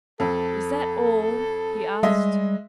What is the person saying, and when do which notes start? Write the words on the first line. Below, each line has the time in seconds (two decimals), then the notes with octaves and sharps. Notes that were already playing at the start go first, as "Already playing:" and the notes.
"Is that all?" he asked.
0.20 F2 A4
2.03 G3 G#3 D#5 E5